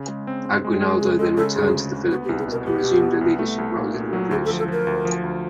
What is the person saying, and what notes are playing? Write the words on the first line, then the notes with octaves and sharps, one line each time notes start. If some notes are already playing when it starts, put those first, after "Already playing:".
Aguinaldo then returned to the Philippines, and resumed a leadership role in the revolution.
Already playing: C#3
G#3
C4
C4
G#3
G#3
C#3 G#4
G#3 A4
C#3 A4
D2 G#4
C#3
D2
B3 F#4
G4
C2
G#4
B2 A#4
B3 G4
B2
B3
C2
A3
C2
A#2
A#2
F#3
D2 G#4
A4
F3
A4
F3 A#4
D2
F3
D2